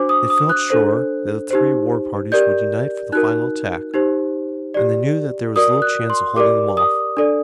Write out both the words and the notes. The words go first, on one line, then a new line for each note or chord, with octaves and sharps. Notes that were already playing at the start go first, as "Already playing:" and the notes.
They felt sure that the three war-parties would unite for the final attack, and they knew that there was little chance of holding them off.
Already playing: D4 F#4 C5 D6
D#6
D#6
F#6
D4 A4 C5
D#4 G4 C5
G4 A#4 D5 G6
D#4 F#4 A#4 F#6
D#4 G4 C5
G4 D5
F#4 A#4 D5 D#6
F#6
C6
G4 A#4 D5 D6
D#6
D4 A4 D5